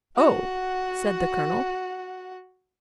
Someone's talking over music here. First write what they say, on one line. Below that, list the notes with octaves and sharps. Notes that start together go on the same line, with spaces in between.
"Oh!" said the colonel.
F#4 F#5